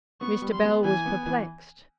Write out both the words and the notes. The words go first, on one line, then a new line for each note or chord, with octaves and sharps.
Mr. Bell was perplexed.
B3 C#6
G3
C6
B3
E3 G#5
B3
E3